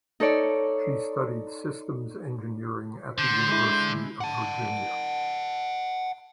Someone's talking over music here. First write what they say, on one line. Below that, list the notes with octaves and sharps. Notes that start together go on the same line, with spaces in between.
She studied systems engineering at the University of Virginia.
D#4 A4 C#5 D5
D3 C5
G#3 E4
F#5 A5